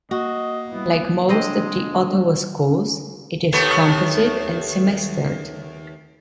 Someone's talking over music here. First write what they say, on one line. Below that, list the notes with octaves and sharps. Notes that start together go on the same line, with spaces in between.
Like most of the Ottawa schools, it is composite and semestered.
A#3 F#4 D#5
G3 B3 E4
D3 G#3 C4 D4 C5 D#5
D#2 A3 B3